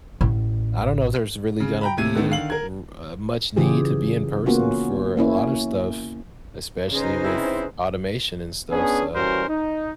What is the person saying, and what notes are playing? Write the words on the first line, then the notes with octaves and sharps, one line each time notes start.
I don't know if there's really gonna be r uh much need to be in person for a lot of stuff, especially with automation and stuff. So
A1
C#3
G5 A#5 B5
D#2 C3 E4 G#6 D#7
D3 D#3 A3 B3
D3 D#3 F5 F#7
A#4 G#6
C#3 E3 F4 G4 G#4
A#3 B3 C#4 F4 F#4
A#3 C#4 E4
C#3 C#4 D#4 G#4 B4 C5
C4 E4
B3 C#4 D4 G#4
E3 G3 C#4 F#4 A#4 C5
D#4